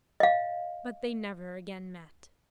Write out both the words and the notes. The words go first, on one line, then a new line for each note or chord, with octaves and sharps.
But they never again met.
D#5 F5